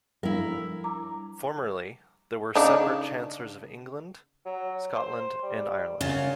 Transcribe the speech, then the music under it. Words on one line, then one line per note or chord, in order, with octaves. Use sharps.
Formerly, there were separate Chancellors of England, Scotland and Ireland.
F3 G3 D4 E4 A#4
A#5 D6
C#3 D4 D#4
F#3
C5
G3
F#2 C#3 F4